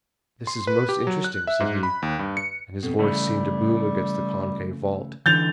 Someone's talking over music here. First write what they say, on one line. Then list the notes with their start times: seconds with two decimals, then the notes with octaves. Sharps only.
"This is most interesting," said he, and his voice seemed to boom against the concave vault.
0.47 C6
0.67 B4
0.89 G4
1.07 F#3
1.24 F#6
1.47 E5
1.60 G#2
1.83 B5
2.02 D#2
2.19 G2
2.37 C#7
2.83 F2 B2
2.99 C#3 E3 G3 A3
5.26 D3 E3 G6 A6 F7